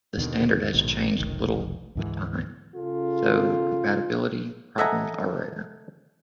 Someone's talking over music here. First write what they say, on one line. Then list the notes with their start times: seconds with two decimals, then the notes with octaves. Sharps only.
The standard has changed little with time, so compatibility problems are rare.
0.17 D#2 B2 D3 D#3
0.73 A#1 G#2 B2 D#3
1.18 F1 B1 D#3
1.95 D2 G#2 E3
2.75 C#3 F4 A4
4.78 A4 D#5 E5 F#5 G#5 A#5